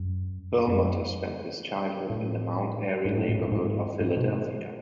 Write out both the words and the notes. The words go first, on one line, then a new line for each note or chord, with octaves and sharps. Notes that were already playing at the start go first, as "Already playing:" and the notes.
Perlmutter spent his childhood in the Mount Airy neighborhood of Philadelphia.
Already playing: F#2
F#2
A2
G#2
A2
G#2
A2
G#2
G#2
B2